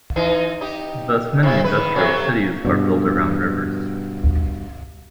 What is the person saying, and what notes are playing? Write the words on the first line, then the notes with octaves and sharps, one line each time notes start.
Thus many industrial cities are built around rivers.
E3 D#4
D#4 G4
C3 E4
D#3 B4
C3 F#3 A3
G2 B2